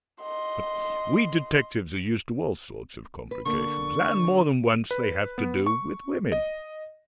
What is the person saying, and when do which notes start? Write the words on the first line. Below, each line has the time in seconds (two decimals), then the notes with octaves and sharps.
But we detectives are used to all sorts of complications, and, more than once, they have to do with women.
0.22 D#5 C6
3.31 B4
3.46 D3 A#3 C#6
4.91 B4
5.38 B3
5.66 C#6
6.32 D#5